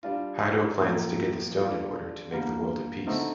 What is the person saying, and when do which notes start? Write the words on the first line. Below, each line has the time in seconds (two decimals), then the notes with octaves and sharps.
Haido plans to get the stone in order to make the world in peace.
0.03 G3 D4 F4
0.79 A2 F3 A#3
1.56 G3 D4 F4
2.31 D3 G3 A#3
3.07 D3 A3 C4 D#4